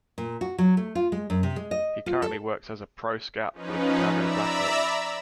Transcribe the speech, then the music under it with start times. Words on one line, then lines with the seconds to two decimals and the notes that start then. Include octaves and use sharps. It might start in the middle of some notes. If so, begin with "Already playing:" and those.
He currently works as a pro scout for the Chicago Blackhawks.
0.18 A#2
0.41 F#4
0.58 F#3
0.77 A3
0.95 F4
1.12 G#3
1.30 F#2
1.43 C3
1.56 G#3
1.71 D#5
2.06 F4
2.22 A4
3.53 F3 C#4 D#4 B4
4.13 D5 E5 A#5 B5 E6